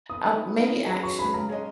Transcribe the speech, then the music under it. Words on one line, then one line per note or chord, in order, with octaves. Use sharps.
Uh, maybe action.
B3 D#6
D#4 A#4
B3
D#4 A#4
F#3
C#4 G#4 B4
F#3 C#6
C#4 G#4 B4 B5
C#3 A#5
G#3 C#4 G#4 D#5